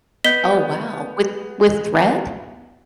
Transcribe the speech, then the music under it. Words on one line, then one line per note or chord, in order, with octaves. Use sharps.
Oh, wow! With with thread?
B3 D#5 G6 B6 G7